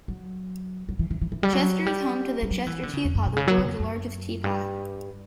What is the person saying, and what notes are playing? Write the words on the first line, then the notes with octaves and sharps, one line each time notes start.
Chester is home to the Chester teapot, the World's Largest Teapot.
F#3
F#3
E3
E3
E3
E3
G3
F#3
G3
G3
F#3
E3
D3
C#3
E2
F#2
B2
C#3
F#3
D3
E2
F#2
G2